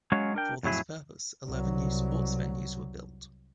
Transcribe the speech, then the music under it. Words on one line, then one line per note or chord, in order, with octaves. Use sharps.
For this purpose, eleven new sports venues were built.
F#3 G#3 C#4 F#4 C#5 F5
D4 A#4 G5
F2 A2 F#3 E4 G#4
C2 F#3